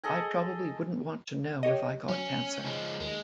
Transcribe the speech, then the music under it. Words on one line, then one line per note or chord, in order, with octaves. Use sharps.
I probably wouldn't want to know if I got cancer.
G#4 A4 D#5 G#5
G4 C#5 D#5
F#3 C#4
F3 G#3
D#2 G#3